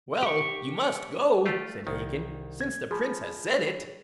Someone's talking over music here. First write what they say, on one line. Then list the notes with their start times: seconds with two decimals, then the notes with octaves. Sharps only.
'Well, you must go', said Hacon, 'since the Prince has said it.
0.23 G4 C#6
1.46 A3 F4 G4
1.87 C2 D#3
2.61 G#6
2.91 F3 G#4 B5